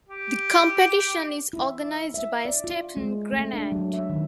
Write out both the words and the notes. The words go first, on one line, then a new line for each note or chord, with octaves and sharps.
The competition is organized by "Stephen Granade".
G4
E4
E5
D5
F4
G#3
A3
D4
F#3
E5
D#3